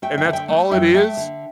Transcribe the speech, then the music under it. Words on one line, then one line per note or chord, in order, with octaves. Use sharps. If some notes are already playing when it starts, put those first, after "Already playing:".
and that's all it is.
A3 E5 G5
E5 G5
D3
E5 G5
A3
F#2 E5 G5
A3 E5 G5
D3